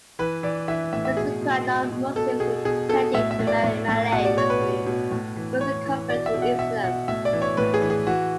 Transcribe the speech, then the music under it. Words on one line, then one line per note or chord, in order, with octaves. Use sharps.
These require non-Muslims intending to marry Malay-Muslims first to convert to Islam.
E3 B4
E3 D5
E3 E5
A2 E5
E5
B2 G#4
B2
B2
B2
B2 A4
B2 G#4
B2 G#4
B2 A4
A2 E5
E5
A2
D5
A2
A2
B2 F#5
D5
B2 C#5
B4
B2
B2
A2
E3
E3 C#5
E3
B2 D5
E5
B2
F#5
B2 E5
B2 F#5
A2 E5
D5
E3
C#5
A2 B4
G#4
E3
G#4
E3 F#4